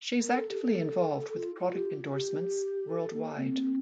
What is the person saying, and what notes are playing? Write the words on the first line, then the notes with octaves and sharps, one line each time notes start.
She is actively involved with product endorsements worldwide.
A#4
A4
G4
A4
F4
F4
G4
G4
A4
A#3
C4